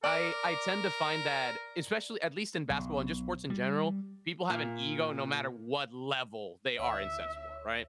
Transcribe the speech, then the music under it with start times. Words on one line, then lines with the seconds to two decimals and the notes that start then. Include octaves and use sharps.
I I tend to find that especially at least in basketball and just sports in general, people have an ego no matter what level they are in said sport, right?
0.04 A#4 D5
2.70 B1
3.50 G3
4.50 A#2
6.79 D2 C#5 E5